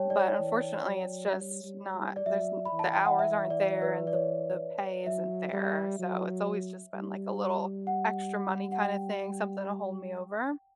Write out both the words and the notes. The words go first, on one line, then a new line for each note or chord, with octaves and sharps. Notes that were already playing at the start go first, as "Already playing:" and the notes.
But unfortunately, it's just not. There's n the hours aren't there and the p the pay isn't there. So it's always just been like a little extra money kinda thing, something to hold me over.
Already playing: G3 C#5 G5 A5
D5
C#5
E3
F#3
G3
G3
G3
D5
F#3 E5
B5
E3
A5
G5
F#5
E5
D5
B4
D5
C#5
F#3 E5
G3
F#3
G3
F#5
F#5
G5